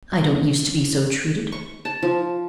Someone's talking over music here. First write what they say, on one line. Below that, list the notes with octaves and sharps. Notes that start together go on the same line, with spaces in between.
I don't use to be so treated.
C#6
A5
F3